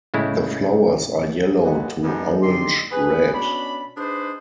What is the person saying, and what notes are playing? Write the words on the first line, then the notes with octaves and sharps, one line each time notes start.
The flowers are yellow to orange-red.
A2 C#3 G#3 E4
F#3 G#3 A#3 B3
F#2 G3 B3 D4 D#4
D3 D#4 G4 C6
G#4 B4
B2 C#4 D4 B5
D4 D#4 G#4 B4 C5